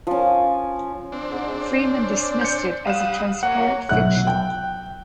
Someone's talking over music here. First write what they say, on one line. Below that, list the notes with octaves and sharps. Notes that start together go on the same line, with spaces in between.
Freeman dismissed it as a transparent fiction.
F3 C#4
C4 D4
G#2
C#4 C5 D5
G6 C#7
G3 F5 F#5 D#6 E7
A#3 C#5 F#5
B1 E5 F#5 F#6
G5